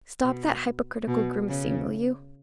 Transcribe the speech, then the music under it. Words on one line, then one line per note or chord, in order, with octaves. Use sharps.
Stop that hypocritical grimacing, will you.
B2
B2
C#3